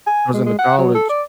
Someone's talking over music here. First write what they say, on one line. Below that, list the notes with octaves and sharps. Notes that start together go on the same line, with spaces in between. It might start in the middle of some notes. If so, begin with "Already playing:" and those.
I was into college,
G#5
G#3
G#3
F#5
F#3
A4
D5